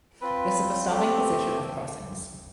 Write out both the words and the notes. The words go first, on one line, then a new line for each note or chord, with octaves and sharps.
This is the starting position of Crossings.
C4 F4 B4
A3 C4 G4